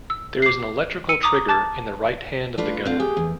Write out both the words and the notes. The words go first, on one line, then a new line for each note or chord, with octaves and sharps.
There is an electrical trigger in the right hand of the gunner.
E6
D6 C7
E6 C#7 D#7
A#5 D6 D#6
A5 D6 A6
A3 D4 F4 B4
D3 C4 F4 F5
G4 G#4
E2